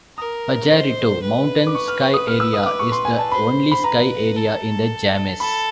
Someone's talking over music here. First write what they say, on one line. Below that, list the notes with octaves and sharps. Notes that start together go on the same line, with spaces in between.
Pajarito Mountain Ski Area is the only ski area in the Jemez.
A#4 D#6
C5
B4
D6
C#6
F6
C#6
D#6
F6
E6
D#6
D6
C#6
C6
G#5
A5
C5 B5
B5
B4 A#5
A4
A4 B5